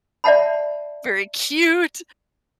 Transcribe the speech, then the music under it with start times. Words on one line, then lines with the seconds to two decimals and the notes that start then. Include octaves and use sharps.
very cute.
0.24 D5 E5 F#5 A5 B5